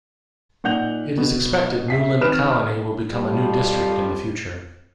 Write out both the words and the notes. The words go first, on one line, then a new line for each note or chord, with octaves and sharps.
It is expected Neuland Colony will become a new district in the future.
A#2 D#4 F#5 G6 F7
B2
E5 B6 C7
D#3 C4 B4 F6 D7 E7
F2 F3 G3